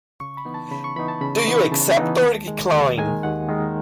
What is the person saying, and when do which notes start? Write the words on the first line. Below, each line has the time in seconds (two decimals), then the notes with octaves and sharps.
Do you accept or decline?
0.20 C#3 C#6
0.37 B5
0.45 E3 B3 D#4
0.54 A5
0.71 C#3 B5
0.84 C#6
0.96 E3 B3 D#4 B5
1.08 A5
1.21 C#3 B5
1.39 C#6
1.47 E3 B3 D#4
1.56 B5
1.71 C#3 A5
1.98 E3 B3 D#4
2.22 D#2
2.47 D#3 G#3
2.72 D#2
2.98 D#3 G#3 G#5
3.23 D#2 F#5
3.48 D#3 G#3